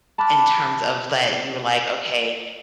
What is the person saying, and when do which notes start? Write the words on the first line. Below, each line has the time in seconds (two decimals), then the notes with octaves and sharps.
in terms of that you were like, "Okay,
0.18 A5 B5 D6 F6 F#6